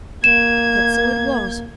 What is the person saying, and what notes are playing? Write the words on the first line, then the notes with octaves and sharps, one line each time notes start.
Yet so it was.
A#3 G#6 E7